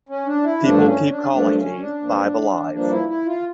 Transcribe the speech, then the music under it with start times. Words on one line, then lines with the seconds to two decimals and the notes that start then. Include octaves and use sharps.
People keep calling me Five Alive.
0.09 C#4
0.26 D4
0.44 E4
0.62 G2 F3 A3 D4
0.85 C#4
1.09 D4
1.32 G2 F3 A3 D4
1.56 C#4
1.80 D4
2.02 G2 F3 A#3
2.73 G2 F3 A#3 D4
2.90 E4
3.08 E4
3.26 F4